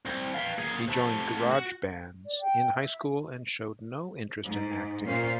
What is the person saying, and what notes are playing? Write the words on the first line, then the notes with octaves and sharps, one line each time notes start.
He joined garage bands in high school and showed no interest in acting.
C2
B4 F5
A#3 G#4
C3 A3
F#4
D5
G5
E5
G#2
A#2 C#4 C5 F5